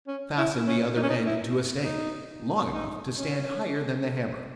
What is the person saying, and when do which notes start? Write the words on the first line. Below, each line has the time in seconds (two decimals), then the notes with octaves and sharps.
Fasten the other end to a stake, long enough to stand higher than the hammer.
0.07 C#4
0.38 E4
0.67 C#4
0.97 D#4
1.03 C#4
1.10 D#4
1.26 E4
1.84 D#4
2.73 D#4
3.18 C#4